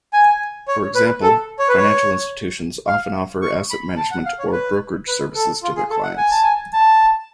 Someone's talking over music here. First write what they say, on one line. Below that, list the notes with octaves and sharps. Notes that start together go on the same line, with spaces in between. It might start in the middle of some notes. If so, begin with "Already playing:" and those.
For example, financial institutions often offer asset management or brokerage services to their clients.
G#5
C#5
B4
A4
C#5
B4
C#5
F5
C#6
B5
A5
F#5
F5
C#5
B4
B4
A4
F4
G#4
A4
F#5
G#5
A5
G#5
A5